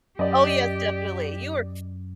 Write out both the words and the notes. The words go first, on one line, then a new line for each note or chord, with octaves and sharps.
Oh, yes, definitely. You are f
F#2 G4 D5 D#5